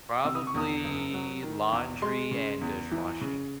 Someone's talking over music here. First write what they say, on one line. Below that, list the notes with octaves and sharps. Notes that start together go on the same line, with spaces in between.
probably laundry and dishwashing,
C3 E6
D#6
C#6
E2 D#6
F#1
F#3
D#3
E2
G#3 C6
C#3
E2
E3
C#3